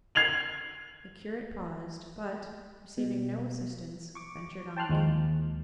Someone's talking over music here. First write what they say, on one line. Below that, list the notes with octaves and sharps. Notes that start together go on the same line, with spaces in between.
The curate paused, but, receiving no assistance, ventured on again.
G#6 C7 F7 F#7
B2
C#6 D6
G5 A5 C6 F6 F#6
D#2 F3 G#3